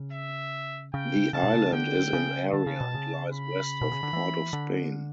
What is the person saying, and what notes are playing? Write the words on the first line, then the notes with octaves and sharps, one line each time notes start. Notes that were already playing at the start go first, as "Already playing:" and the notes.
The island is in area and lies west of Port of Spain.
Already playing: C#3
E5
C#3 G5
C#3 A5
B2
C#3
D3 G5
C#3
D3 A5
C#3
B2
C#3
B5
B2
C#3
D3
E3
D3